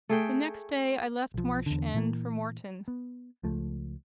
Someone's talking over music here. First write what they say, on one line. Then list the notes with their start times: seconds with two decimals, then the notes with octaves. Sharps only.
The next day I left Marsh End for Morton.
0.09 A3 G#4 G5
1.34 B1 F3
1.66 E2 D3
1.94 A#2 E3 A#3
2.88 B3
3.43 C#2 F3 A3